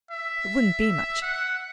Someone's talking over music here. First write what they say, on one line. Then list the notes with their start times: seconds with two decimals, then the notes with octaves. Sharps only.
It wouldn't be much.
0.11 E5
1.22 F#5